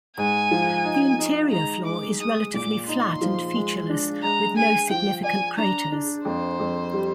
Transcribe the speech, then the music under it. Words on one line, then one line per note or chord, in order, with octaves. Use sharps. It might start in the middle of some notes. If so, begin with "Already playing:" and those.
The interior floor is relatively flat and featureless, with no significant craters.
G#2 G#5
F3
D#4
D#4
G#3 A#5
G#3 D6
G#3 D#6
A#2 D6
D#4 C6
F3
G#3
D4
G#3 A#5
G#3 G#5
F3 G5
D5 G#5
D4 A#5
D4
F2 C5
F2
G3